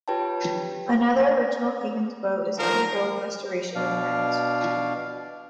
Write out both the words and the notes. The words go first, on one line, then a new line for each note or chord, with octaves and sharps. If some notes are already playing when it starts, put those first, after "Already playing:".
Another original Higgins boat is undergoing restoration in France.
F4 G4 B4 C#5 G5 A5
D3 D#3 F3 A#4
B2 D4 F5